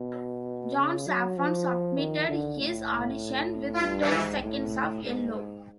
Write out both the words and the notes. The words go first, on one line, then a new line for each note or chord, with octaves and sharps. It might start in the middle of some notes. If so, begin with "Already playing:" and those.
John Safran submitted his audition with ten seconds of yellow.
Already playing: B2
C#3
F#3
F3
D#3
D3
A2
G2
G#2
A2
G#2